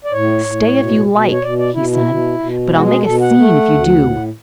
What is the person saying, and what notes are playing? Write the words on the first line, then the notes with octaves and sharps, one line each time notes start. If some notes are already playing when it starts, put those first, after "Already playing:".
"Stay if you like," he said, "but I'll make a scene if you do."
D5
A2 C#5
A2
B2
B2
C#5
B2 D5
D5
B2 E4
E4
B2
B2
G#3 F#4
G#4
B2 A4
F#5
A3
D2
A2